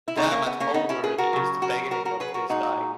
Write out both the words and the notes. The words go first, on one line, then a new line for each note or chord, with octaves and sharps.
The dam at Holwerd is the beginning of this dike.
E4
C#3 G#3 B3 D#4
A#3 C#4
B3
A#3 C#4
B3 D#4
C#4 E4
G#4 B4
F#4 A#4
C#3 F#3
F#4 A#4
F#4 A#4
F#4 A#4
G#4 B4
F#4 A#4
A#2 G#3 D#4 F#4